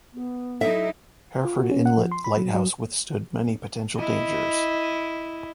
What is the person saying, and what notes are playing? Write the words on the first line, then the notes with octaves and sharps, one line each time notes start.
Hereford Inlet Lighthouse withstood many potential dangers.
B3
F#3 D#4 E4 A4 E5
F4
F#4
C#4
F#5
F3
C6
B5
F#3
F#3
E4 D#5